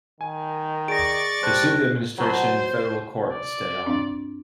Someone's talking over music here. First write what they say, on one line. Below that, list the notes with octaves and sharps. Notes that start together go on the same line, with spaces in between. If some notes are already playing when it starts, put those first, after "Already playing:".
They sued the administration in federal court to stay on.
D#3 G#5
G#4 D5 C#6 A6 A#6 D7
G3 C5 A5 F#6
B2 F#3 C5
D5
G2 C4 D4